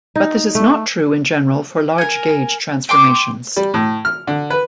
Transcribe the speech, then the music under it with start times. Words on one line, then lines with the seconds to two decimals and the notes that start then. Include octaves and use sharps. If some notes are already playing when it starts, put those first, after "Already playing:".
But this is not true in general for large gauge transformations.
0.16 D#4
0.55 A3
1.98 A#4 G#5
2.89 G5 C6 D6
3.56 G3
3.74 A2
4.05 F6
4.27 D3
4.50 B4